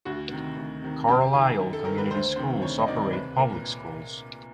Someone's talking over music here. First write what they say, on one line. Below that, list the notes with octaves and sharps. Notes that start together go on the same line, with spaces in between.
Carlisle Community Schools operates public schools.
D2 F#4
C3 D#3
D2
C3 D#3
F#2 G4
D#3 G#4
F#2
A4
D#3 A#4
B4
D2 C5
C3 D#3 C5
D2 C#5
D#5
C3 D#3 D5
C2 B4
A#2 A#4